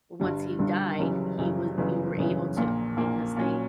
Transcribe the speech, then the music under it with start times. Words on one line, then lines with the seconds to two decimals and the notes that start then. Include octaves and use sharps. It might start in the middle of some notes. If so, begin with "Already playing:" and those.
once he died, he was you were able to because they
0.20 G1 G2 D3 G3
0.59 G1 G2 D3 G3
0.98 F#1 F#2 C#3 E3 G3
1.38 F#1 F#2 C#3 E3 G3
1.78 G1 F#2 C#3 E3 B3
2.18 G1 F#2 C#3 E3 B3
2.57 A#1 A#2 A#3
2.97 A#1 A#2 A#3
3.36 A#2 F#3 C#4